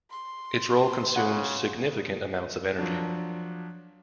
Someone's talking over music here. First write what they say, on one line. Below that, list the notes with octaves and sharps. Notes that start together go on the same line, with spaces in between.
Its role consumes significant amounts of energy.
C6
C#3 F#5
F3 F#3 D4